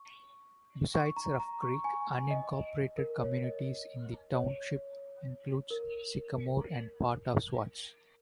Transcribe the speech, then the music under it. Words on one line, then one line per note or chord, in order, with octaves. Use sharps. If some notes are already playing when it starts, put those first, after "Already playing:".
Besides Ruff Creek, unincorporated communities in the township include Sycamore and part of Swarts.
Already playing: C#6
C#6
A#5
A#5
C#6
G#5
G#5
D#5
A#4
C#5
D#5
C#5
A#4